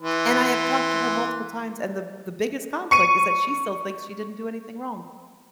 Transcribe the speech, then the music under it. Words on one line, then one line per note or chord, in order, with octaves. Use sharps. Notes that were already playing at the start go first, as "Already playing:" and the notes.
and I have talked to her multiple times, and the the biggest conflict is that she still thinks she didn't do anything wrong.
E3 C6
C#6 C#7 D#7